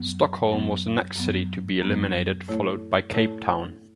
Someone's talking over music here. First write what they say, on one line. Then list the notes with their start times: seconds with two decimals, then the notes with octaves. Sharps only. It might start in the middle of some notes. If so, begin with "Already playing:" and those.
Stockholm was the next city to be eliminated followed by Cape Town.
Already playing: F#2 F#3 B3
0.50 F#2 F#3 B3
1.15 F#2 F#3 B3
1.82 F#2 F#3 B3
2.48 A2 A3 E4 C#5
3.14 A2 A3 E4 C#5